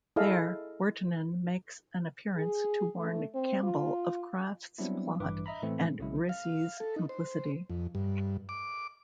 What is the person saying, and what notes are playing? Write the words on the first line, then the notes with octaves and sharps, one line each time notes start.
There, Wirtanen makes an appearance to warn Campbell of Kraft's plot and Resi's complicity.
E4 G#4 A4 D#5 F5
G#4
A3
C4
F4
F#3 G3 B3 C4 D4 E4
A1 G2 E3 B4 D6
D#5 E5 A#5 B5
A2 E3 A3 C4 E4
B1 C#3 F#3 G#3 E4
F5
A4
D#4
C5
F2
G2
D6